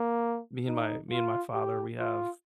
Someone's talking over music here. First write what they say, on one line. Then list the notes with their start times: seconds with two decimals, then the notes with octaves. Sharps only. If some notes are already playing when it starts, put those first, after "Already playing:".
me and my me and my father, we have
Already playing: A#3
0.67 D#4
1.11 F4
1.54 G4
1.99 F4